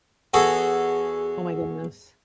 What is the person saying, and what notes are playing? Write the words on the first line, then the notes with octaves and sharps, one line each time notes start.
Oh my goodness.
E2 F#4 G#4 A4